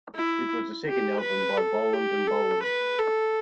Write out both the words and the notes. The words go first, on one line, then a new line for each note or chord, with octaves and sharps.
It was the second album by Bolland and Bolland.
E4
G4
B4
A4
G4
A4
B4
A4